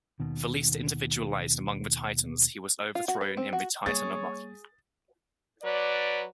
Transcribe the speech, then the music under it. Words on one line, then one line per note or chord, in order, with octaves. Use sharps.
The least individualized among the Titans he was overthrown in the Titanomachy.
D#2 B2 D#3
F4
F#4
B4
C4
F#4
G3 A#3 G#4 C#5 A6
F#3 B4 D5